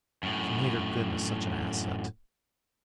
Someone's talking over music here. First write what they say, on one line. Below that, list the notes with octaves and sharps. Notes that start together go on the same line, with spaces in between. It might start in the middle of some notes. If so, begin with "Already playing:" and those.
She made her goodness such an asset.
F#2 A2